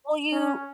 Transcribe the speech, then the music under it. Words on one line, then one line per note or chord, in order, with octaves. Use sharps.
Well, you
C#4